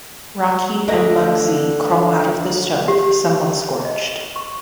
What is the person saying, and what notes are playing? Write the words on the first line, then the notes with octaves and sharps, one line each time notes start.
Rocky and Mugsy crawl out of the stove, somewhat scorched.
D2 D3 D#5
G4
D#5
C#6